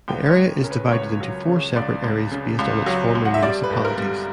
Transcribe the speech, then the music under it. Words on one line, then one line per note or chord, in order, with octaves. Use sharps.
The area is divided into four separate areas based on its former municipalities.
C#2 G5
C#5
C#2
C#3 A#4
B4
C#2 C#5
F#3
C#3
C#2 D5
C#2
C#3
C#2
F#3
C#2
F#5
E5
G3 D5
B4
G1
A#4
G3